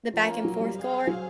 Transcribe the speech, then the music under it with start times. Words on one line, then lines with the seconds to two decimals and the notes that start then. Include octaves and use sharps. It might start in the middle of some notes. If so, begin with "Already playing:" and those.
The back-and-forth guard.
0.14 F3 A#3 C#4 F4
0.45 F#3
0.60 G3
0.77 G#4 C5 F5
1.07 F#3